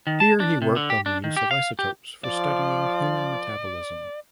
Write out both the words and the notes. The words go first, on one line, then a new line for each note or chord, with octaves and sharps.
Here he worked on the use of isotopes for studying human metabolism.
D#3
A5
D4
C3
D3
G4
D4
D#3
G4
F5
G4
F3 D5